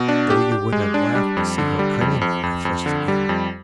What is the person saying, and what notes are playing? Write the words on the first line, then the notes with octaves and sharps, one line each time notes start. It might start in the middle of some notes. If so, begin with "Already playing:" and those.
Oh, you would have laughed to see how cunningly I thrust it in!
Already playing: B2
D4
G4
G4
G#3
D4
G3
F2
D3
G3
F2
F2
F2
F2
D3
G3
F2